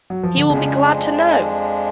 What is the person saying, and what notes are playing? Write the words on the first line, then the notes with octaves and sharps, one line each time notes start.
He will be glad to know!
F#3
F3
D3
F2 C#3 F3 G#3 D4